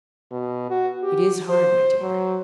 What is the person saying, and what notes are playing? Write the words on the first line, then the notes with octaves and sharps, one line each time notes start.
"It is hard, my dear."
B2
F#4
G4
C5
F#3